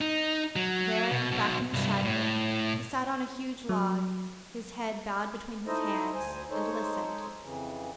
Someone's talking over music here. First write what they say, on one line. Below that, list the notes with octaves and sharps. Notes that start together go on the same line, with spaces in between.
There, back in the shadow, he sat on a huge log, his head bowed between his hands, and listened.
D#4
F#3
B2
B1 B2
C2 G2
A2
F#3
D#4 E4 A4 C5 D#5
D2 C5 G#5
G#3 D#4 A4 C5 C#5
F2 C#3 E3